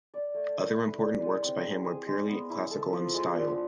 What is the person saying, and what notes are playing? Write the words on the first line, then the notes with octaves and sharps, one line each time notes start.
Other important works by him were purely classical in style.
D5
A3
E4
B4
D5
G#3
C4
G#4
G#4
G#3
B3
E4
A4
F3
G#3
D4